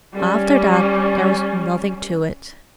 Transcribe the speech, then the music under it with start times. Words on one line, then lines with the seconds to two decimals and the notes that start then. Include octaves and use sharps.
After that there was nothing to it.
0.13 G3 C#4